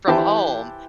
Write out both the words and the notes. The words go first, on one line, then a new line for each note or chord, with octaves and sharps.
from home
E3 E4 G4 C5 A5 B5